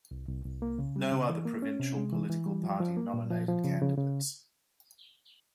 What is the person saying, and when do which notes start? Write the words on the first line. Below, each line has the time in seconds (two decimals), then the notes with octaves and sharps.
No other provincial political party nominated candidates.
0.11 C2
0.28 C2
0.45 C2
0.62 A#3
0.79 C#3
0.96 G3
1.12 C#3
1.30 E3
1.45 A#3
1.62 C#4
1.80 C3
1.97 G#3
2.13 E3
2.30 E3
2.46 G3
2.64 F3
2.80 F3
2.97 A#3
3.14 A#2
3.31 F3
3.48 F3
3.65 C#3
3.82 C#3
3.98 C#3